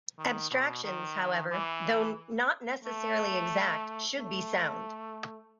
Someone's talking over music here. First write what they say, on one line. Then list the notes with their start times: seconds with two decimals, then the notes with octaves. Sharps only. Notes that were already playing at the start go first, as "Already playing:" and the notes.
Abstractions, however, though not necessarily exact, should be sound.
0.18 D#3
0.51 B2
0.84 D#3
1.51 E3
2.85 A3
4.18 A3